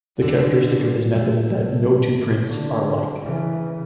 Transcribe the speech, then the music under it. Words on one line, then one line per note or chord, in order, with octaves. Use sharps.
The characteristic of this method is that no two prints are alike.
D3
A3
D3
C#3 E3